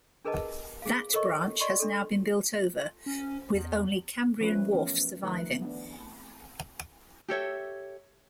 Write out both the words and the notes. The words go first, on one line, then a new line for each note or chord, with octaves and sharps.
That branch has now been built over, with only Cambrian Wharf surviving.
D4 G#4 A#4 B4 D#5 A5
G#4 F5
A4 A#4 C#5 D#5 C#6
D5 D#5 C6 C#6
D4 A4
C#4
E2
F3 A3 C#4 B4
E3 B3 C#4 A#4
D#3 F3 A3 D#4 B4
B3 D4
G4 A4 C#5 E5